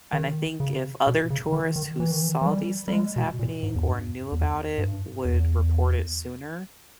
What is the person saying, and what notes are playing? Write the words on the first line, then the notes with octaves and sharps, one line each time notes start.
and I think if other tourists, who saw these things happening or knew about would report it sooner,
D#3
C#3
B2
C#3
D#3
D#3
E3
D#3
E3
E3
G3
G3
G#3
B2
A#2
G#2
E2
G2
E2
G2
E2